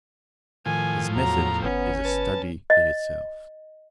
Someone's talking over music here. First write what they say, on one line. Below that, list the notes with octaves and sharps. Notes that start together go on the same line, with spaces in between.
His method is a study in itself.
A2 D#3 F3 G#5
E2 F#3 A#5
G1 B3 C#4
B4 A5
D#5